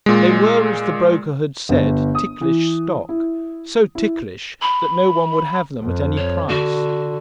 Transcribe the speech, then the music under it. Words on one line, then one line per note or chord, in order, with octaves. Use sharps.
They were, as the broker had said, ticklish stock; so ticklish that no one would have them at any price.
A#2 G#3
G1
D#6
E3
E4
E4
B5
F2
C#5
D3 F#4